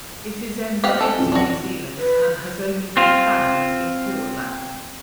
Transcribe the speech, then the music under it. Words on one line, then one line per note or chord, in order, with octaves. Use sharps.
It is endemic to New Zealand and has only be found in Fiordland.
G4 C5 D#5 F5 F#5
C4 A4 G#5
D1 F2 E3 C#4
D4 F#4
B4
C4 F4